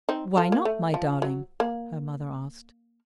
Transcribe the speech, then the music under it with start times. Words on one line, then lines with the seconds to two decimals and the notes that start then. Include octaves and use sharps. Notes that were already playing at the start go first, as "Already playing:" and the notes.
"Why not, my darling?" her mother asked.
0.09 C4 D#4
0.37 F4 A4
0.52 A#3
0.65 A3
0.94 F3
1.22 F#3
1.60 A#3